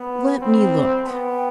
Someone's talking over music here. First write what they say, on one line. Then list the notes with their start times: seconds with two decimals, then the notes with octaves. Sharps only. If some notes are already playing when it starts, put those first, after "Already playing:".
"Let me look."
Already playing: B3 B5
0.42 C4
1.07 B3 G5